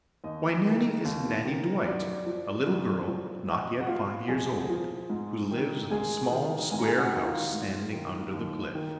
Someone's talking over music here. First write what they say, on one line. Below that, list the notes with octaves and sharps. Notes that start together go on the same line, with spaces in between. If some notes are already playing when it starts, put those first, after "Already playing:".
Why, Nannie is Nannie Dwight,--a little girl not yet five years old, who lives in the small square house standing under the cliff.
D#2 D#5
D#3
D#2
D#3
F#2 D5
F3
F#2
F3
F2 D#5
F#5
F3 F4 F5
F2 G#4 G#5
F3
G#2
D#3
G#2 G#4 G#5
D#3
G#2 G#5
A#5
G#4 G#5
F#4 F#5
D#3
F4 F5
G#2
D#3
D#2
D#3